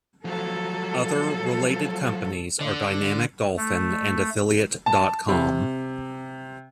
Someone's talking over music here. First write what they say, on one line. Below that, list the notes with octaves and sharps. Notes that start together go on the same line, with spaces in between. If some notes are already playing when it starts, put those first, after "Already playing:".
Other related companies are Dynamic Dolphin and affiliate dot com.
F3 F#3 A4
D3
A3
A5
C3